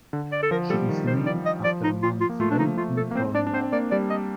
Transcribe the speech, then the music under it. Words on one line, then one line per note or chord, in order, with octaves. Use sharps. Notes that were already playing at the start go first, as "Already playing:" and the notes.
She is named after Mount's Bay in Cornwall.
D3
D5
A4
F3 A#4
G3 A4
D#3
C5
F3 D5
D#5
F3 D5
D#4
F4
F4
A#3
A3 F4
D4
F3 D#4
A3 F4
A4
A#3
C4 C5
D4 D5
D4
C4 C5
A#3 D5
G3 D5
D#5